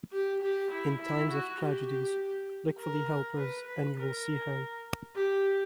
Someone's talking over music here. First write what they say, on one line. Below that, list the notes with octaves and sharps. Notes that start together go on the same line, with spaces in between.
In times of tragedies, look for the helpers and you will see hope.
G4
G4
E4
E4
F#4
G4
A#4
B4
B4
A#4
G4